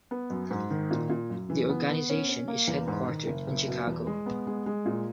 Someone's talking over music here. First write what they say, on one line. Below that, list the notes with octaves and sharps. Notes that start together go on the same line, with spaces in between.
The organization is headquartered in Chicago.
B3
F#2
G#2
D#3
A#2
A#2
F#2
E3
B3
B3
C#4
C#4
A#3
E2
G#2
D#3
F#1
F#1
B2
E2
G#3
B3
G#3
G#3
A#2